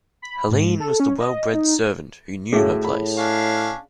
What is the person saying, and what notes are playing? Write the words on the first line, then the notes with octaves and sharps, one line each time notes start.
Helene was the well-bred servant who knew her place.
B5
G#2
A4
C#4
D#5
D#4
A2 C#3 E4 F#4 G#4
A2 B5
C#4 D4 F5